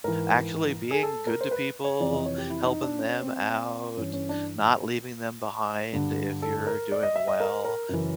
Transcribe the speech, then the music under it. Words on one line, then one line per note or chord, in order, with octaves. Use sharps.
actually being good to people, helping them out, not leaving them behind if you're doing well,
G#2 E3 A#4
G#4
A4
A#4
C5
B4
C#5
F2 C3 E3 D5
D#5
C#5
G4
E4
D#4
D4
C#4
C4
G2 E3 C#4
C#4
D4
G2 D3
A4
A#4
D5
D#5
E5
D#5
A#4
A#4
F#2 C#3 E3